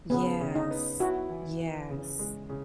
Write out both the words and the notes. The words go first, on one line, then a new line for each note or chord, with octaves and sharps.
Yes. Yes.
C#3 B3
C#3
D#4
B3
E4 F#4
E3
E3
C#3
G#3
C#3